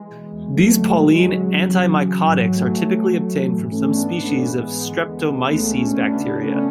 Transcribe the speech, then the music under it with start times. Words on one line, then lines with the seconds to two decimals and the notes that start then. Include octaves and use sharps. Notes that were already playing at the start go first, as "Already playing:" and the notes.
These polyene antimycotics are typically obtained from some species of "Streptomyces" bacteria.
Already playing: E3 G#3
0.10 B2
0.31 E2
0.53 F#2 F#3 A3
0.75 D3 E3 G#3
0.96 B2 F#3
1.04 G#3
1.11 F#3
1.18 E2
1.40 C#3
1.62 E3
1.83 C#3
2.04 E3
2.26 G#2 F#3
2.40 F#3
2.48 E3
2.54 F#3 A3
2.69 A2
2.91 E3
3.13 A2
3.34 E3
3.56 G#2
3.70 A3 C#4
3.77 E3
3.84 B3 D4
3.99 G#2 B3 D4
4.20 E3 A3 C#4
4.42 G#2 G#3 B3
4.63 E3
4.85 D3
5.07 E2
5.28 B2 G#3 B3
5.50 C#2 A3 C#4
5.72 B2 A3 C#4
5.86 B3 D4
5.93 E2
6.00 C#4 E4
6.15 C#3 B3 D4
6.36 E3 A3 C#4